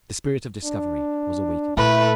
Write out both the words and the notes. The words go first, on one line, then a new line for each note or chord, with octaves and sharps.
The spirit of discovery was awakened.
D4
A#2 A3 E4 B4